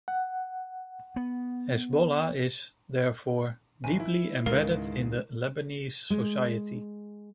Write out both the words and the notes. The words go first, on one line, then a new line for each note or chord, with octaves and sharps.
Hezbollah is, therefore, deeply embedded in the Lebanese society.
F#5
B3
G#1 G#5
E4
C#2 G#2 D#3 G#3 A#4 F5
G#3